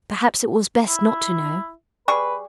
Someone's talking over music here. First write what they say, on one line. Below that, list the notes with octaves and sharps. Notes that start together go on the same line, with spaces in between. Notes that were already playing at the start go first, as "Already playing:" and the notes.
Perhaps it was best not to know.
E4
G3 G#4 B4 C#6